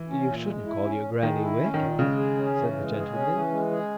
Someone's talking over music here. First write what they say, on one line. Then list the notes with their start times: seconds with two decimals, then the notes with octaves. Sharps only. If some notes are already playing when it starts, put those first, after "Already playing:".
"You shouldn't call your grannie wicked," said the gentleman.
Already playing: E3
0.08 C#4
0.27 A#2
0.45 G#3
0.65 E4
0.84 C#4
1.03 A#2
1.23 D#3 G#3
1.41 E4
1.60 C#4
1.74 D#3
1.80 A#2
1.99 C#3 G#3
2.17 G#4
2.37 C#4
2.55 E3
2.76 G#3
2.94 G#4
3.13 C#4
3.32 E3
3.51 G#3
3.71 G#4